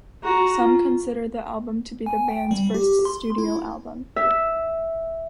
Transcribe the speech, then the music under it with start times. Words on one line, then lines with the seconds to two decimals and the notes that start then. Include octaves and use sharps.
Some consider the album to be the band's first studio album.
0.24 F#4 A#5
0.57 F4
2.06 G#5
2.29 G5
2.51 G3
2.74 G4
3.05 C6
3.38 E4
4.16 E5